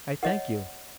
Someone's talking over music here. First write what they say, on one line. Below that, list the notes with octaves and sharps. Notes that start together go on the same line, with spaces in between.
'I thank you.
C#5 D#5 F#5